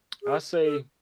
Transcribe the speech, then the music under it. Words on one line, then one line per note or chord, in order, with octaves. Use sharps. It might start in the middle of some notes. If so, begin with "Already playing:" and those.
I say
G#4
A4